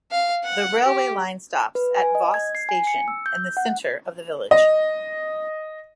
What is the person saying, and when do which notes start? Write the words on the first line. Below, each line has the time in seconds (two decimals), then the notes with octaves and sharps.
The railway line stops at Voss Station in the centre of the village.
0.11 F5
0.44 F#5
0.84 G4
1.75 B4
1.95 G#5
2.15 D#5
2.34 G#6
2.55 C7
2.69 G#5
2.87 C#7
3.08 E6
3.26 G6
3.57 F#5
4.51 D#5